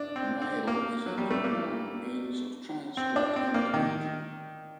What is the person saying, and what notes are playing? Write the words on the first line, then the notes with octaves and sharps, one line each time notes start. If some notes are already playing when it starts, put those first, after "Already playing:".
Rail is an important means of transport in the region.
Already playing: D4
C4
C4
A#3
F#3
G3
A3
A#3
C4
D4
C4
A#3
D#3